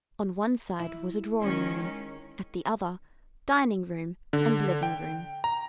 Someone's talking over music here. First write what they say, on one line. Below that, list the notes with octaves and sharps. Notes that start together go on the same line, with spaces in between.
On one side was a drawing room, at the other, dining room and living room.
E4
D#3 G#3 C#4
D3
G5
A#5